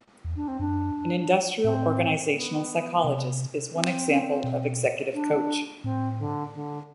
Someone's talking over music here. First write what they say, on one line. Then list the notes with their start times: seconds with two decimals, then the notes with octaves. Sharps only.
An industrial organizational psychologist is one example of executive coach.
0.24 E2
0.36 D4
0.48 C4
0.59 F#2 D4
1.64 A2 C4
2.34 B3
3.04 C3
3.74 C4
4.44 B2
5.14 D4
5.84 A2 C4
6.18 D3
6.54 D3